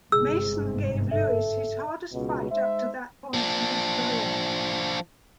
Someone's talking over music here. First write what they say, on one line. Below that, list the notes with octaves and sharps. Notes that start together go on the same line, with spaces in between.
Mason gave Lewis his hardest fight up to that point in his career.
G1 G#2 C3 G#4 E6
A4 E5
C#2 B2
G#3 D#4 C5 E5
F3 D4